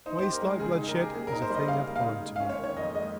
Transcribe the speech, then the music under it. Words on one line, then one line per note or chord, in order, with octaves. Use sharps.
Waste, like bloodshed, is a thing abhorrent to me.
D#4 C5
C5
G4
A#4
G#3 G#4
C#3 G#4
G#4
D#4
A#4
G4 G#4
A#3 G#4
A#4
D#4
C5
G3 D#5
C#3 F5
A#3
F5
D#4
G#3
C#4 F5
C#5
D#3
C#5
F2 D#5
G#3 D#5